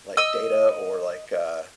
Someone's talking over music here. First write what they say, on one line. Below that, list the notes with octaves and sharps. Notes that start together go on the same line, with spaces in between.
like, data or, like, uh,
D#5 E6